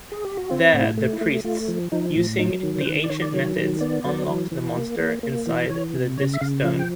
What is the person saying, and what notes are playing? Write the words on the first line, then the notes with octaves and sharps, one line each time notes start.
There the priests, using the ancient methods, unlocked the monster inside the disc stone.
G#4
G4
F#4
C4 F4
A2
E4
A3
E4
A3
A3 F4
F3
F3 D#4
A2
F#3 D#4
D#3
C5
D#3 B4
D5
D#3 C#5
D5
F#3 C#5
D#3
B3 D5
F#3
E3
E3
A#3
A#3
A#3
E3
E3 C#5
C3
C#3 C#5
E5
C#3 F5
F3 F5
G5